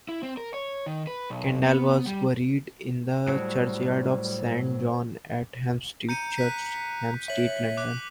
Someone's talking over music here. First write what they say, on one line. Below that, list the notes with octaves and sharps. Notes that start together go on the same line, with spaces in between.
Kendall was buried in the churchyard of Saint John-at-Hampstead Church, Hampstead, London.
E4
C4
A#4
C#5
D#3
B4
B1
B3
G3
A2 F#3 G3 C5
A#5 G6 C#7 D#7
F#6 B6
C#5 E5 B6 F#7
D6 F#6